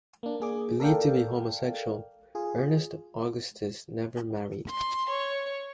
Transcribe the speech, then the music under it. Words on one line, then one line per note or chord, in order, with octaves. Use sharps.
Believed to be homosexual, Ernest Augustus never married.
A#3 D4
A#3 G#4 D6
A4 A#4 D5 F5 G5
F4 G#4
C6
C#5